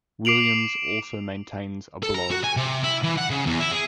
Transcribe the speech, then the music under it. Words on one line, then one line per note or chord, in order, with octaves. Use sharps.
Williams also maintains a blog.
D6 C7 D7 F7 F#7
A4
A#5
F#4
G#5
C3
E4
E3
F#5
C#3
E2
E4
G#4